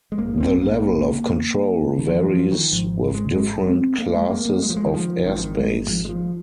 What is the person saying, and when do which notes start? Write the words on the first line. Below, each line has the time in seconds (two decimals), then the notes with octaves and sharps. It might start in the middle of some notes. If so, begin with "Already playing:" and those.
The level of control varies with different classes of airspace.
0.12 G#3
0.18 A#1 G#2 A#3
0.40 C4
0.61 A#3
1.99 D#3
2.09 F3
2.23 G#3
2.30 F3
2.51 D#3
2.71 G#1 G#2 F3
3.14 G#3
3.35 G#3
3.67 C4
3.98 A#3
4.14 G#3
4.30 A#3
4.46 A#3
4.62 G#3
4.70 F3
4.76 G#3
4.86 D#3
4.94 F3
5.25 G#1 G#2 D#3
5.35 F3
5.44 D#3
5.57 G#3
5.89 F3
6.05 G#3
6.09 F3